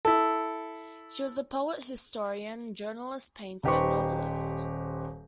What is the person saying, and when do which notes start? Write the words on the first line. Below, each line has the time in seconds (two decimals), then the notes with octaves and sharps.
She was a poet, historian, journalist, painter and novelist.
0.05 E4 A4
3.64 D#1 D#4 G4 B4 C5 C#6